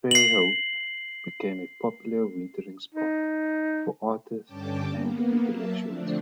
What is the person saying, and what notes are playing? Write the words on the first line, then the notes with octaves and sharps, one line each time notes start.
Fairhope became a popular wintering spot for artists and intellectuals.
C7 F#7
D#4
G2 D3 C#4 G5 A5 D6
A#3 B3
F#3 A#3 E5 A5
D3 F3 A3 C4 D4